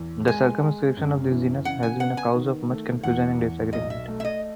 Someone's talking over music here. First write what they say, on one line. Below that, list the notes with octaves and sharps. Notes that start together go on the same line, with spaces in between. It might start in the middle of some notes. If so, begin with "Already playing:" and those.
The circumscription of this genus has been a cause of much confusion and disagreement.
Already playing: E2
G#3 G#5
G#3
F#2
E3
C#3 F#5
G#5
B3 F#5
G#5
D#3
A3
E2 F#5
E2
B1 D#5
E5
A3
E5
D#5